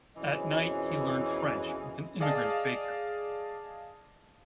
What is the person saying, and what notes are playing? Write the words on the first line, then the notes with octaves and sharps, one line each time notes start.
At night he learned French with an immigrant baker.
F2 B2 E3 C#4 G#4 D#5
G#4 D5 D#5 F5 A5